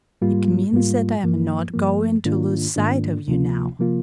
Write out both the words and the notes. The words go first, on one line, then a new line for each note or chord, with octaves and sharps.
"It means that I am not going to lose sight of you now."
G#2 G3 A#3 F4
G#2 G3 A#3 F4
G2 F3 A#3
G2 F3 A#3
G#2 D#3 A#3 D4 F4
G#2 D#3 A#3 D4 F4
D2 C3 F3 A#3 F4
C3 F3 A#3 F4